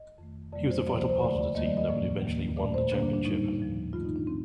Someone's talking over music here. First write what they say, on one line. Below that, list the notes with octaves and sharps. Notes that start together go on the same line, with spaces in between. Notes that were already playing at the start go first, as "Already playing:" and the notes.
He was a vital part of the team that would eventually won the championship.
Already playing: D#5
F2 D#3 A3
F2 C3 G3 A#3 D5
C5
D2 C3 F3 A#3 D5
C5
C5
D#2 D3 A3 D5
D5
F2 D#3 G3 A#3 D#5
D5
D#5
A2 F3 A#3 D5
D#2 D#3 A#3
A#2 A3 D5
C5
G2 D3 G3 A#3 D4
D4
D4
A2 G3 A#3 D#4
D#2 D3 F3
G2 D#3 A3 F4
D#4
D4
D#3 C4